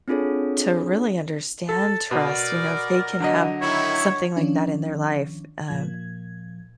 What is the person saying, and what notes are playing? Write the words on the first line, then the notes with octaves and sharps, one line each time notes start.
to really understand trust, you know, if they can have something like that, in their life, um,
C4 D4 F4 G#4 A4 C#5
A4 A5
B2 A#4 D5
D3 F#3 D#5
D#3 E4 C#5
D#3 F3 C#4 D4
A#2 F3 G#6